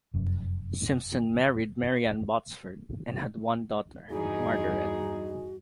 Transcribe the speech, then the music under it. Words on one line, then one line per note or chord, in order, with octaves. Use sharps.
Simpson married Mary Anne Botsford and had one daughter, Margaret.
F1 F#2
E2 G2 D#4 F#4 G#4